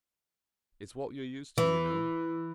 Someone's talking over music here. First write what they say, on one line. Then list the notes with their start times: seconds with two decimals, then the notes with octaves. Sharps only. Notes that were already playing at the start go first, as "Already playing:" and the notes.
It's what you're used to, you know.
1.58 E3